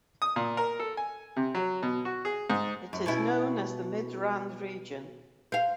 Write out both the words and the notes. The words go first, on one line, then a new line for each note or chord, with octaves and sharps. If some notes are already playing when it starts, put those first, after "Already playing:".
It is known as the Midrand region.
D#6
A#2
A#4
A4
G#5
C3
F#3
B2
F#4
G#4
G#2
F#2
B2 C#4 E4
C5 F5